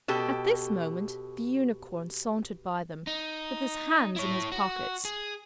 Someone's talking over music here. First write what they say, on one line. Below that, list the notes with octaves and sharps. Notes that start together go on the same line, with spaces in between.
At this moment the Unicorn sauntered by them, with his hands in his pockets.
B2 G4 A4
D#4
E4 C#5
F#4
G#4